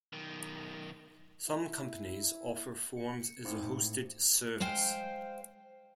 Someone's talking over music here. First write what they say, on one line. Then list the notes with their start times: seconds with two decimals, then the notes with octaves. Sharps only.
Some companies offer forms as a hosted service.
0.13 B1 D#3
1.47 E4
2.96 C#7
3.45 G#1
3.63 A2
4.60 G#3 C5 F5 G5